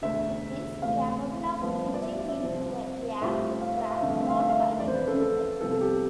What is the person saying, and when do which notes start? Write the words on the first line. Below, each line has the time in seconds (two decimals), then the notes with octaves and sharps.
It is capable of reaching into the air to grab small flying insects.
0.02 E1 D2 D3 E5
0.82 D2 C3 E3 A3 F5
1.62 G1 G2 F3 B3
1.94 D5
2.02 E5
2.28 E5
2.42 C2 C3 F3 C4
3.22 A2 G3 C4 F4 E5
3.61 F5
3.81 E5
3.91 F5
4.01 G1 F2 D3 A3 E5
4.11 F5
4.21 E5
4.30 F5
4.40 E5
4.49 F5
4.59 E5
4.80 F1 F2 E3 D5
4.88 C5
4.95 B4
5.08 A4
5.21 A4
5.61 C2 C3 F3 B3 A4
5.72 A4
5.81 G4